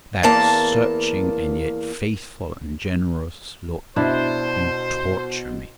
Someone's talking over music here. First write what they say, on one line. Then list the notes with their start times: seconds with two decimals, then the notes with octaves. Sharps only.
"With that searching and yet faithful and generous look, you torture me!"
0.23 E2 A#3 A5
3.96 B2 D4 E4 C5